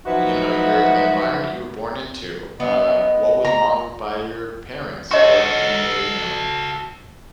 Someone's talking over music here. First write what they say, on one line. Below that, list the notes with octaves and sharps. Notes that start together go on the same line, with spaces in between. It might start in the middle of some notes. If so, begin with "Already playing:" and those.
you know, your the environment you were born into, uh, what was modeled by your parents? What in your, you know,
F3 F#3 D#4 F#4 B4 E5
B3 D#5
A#5
F#4 A4 C#5 D#5 C#6